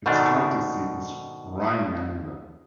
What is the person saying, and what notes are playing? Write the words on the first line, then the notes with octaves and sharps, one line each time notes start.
Its county seat is Rhinelander.
G#2 B2 D#3 A3 D4